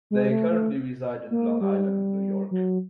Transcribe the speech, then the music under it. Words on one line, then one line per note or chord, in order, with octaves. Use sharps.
They currently reside in Long Island, New York.
G#3
A3
A3
A#3
G3
F#3